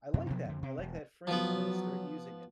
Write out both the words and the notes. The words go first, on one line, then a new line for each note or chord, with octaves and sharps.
like that. I like that phrase, I'm gonna start using it.
F#2 C3
B2 F3 F#3 B3
F2 D3
C3
E1
F3 F#3 B3